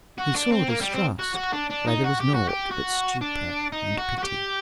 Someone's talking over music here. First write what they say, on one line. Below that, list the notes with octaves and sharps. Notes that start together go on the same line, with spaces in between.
He saw distrust where there was naught but stupor and pity.
F#4
D4
C4
A#3
G3
C4
F#4
F#4
D4
D4
D#4
F#4
G4
F#4
G4
F#4
D4
D#4
F#4
F#4
G4